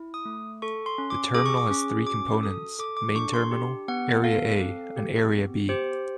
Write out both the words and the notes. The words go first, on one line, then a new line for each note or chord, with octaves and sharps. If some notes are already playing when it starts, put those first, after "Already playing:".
The terminal has three components, Main Terminal, Area A and Area B.
Already playing: E4
D#6
A3
A4 C#6
C6
C#4
D6
G#4 D6
C#6
D6
C#4
F#4 D6
A4 D#6
A4 D6
D6
D4 C#6
C6
G4
B3 F#5
A4 F5
C4
G4
B3
G4 C5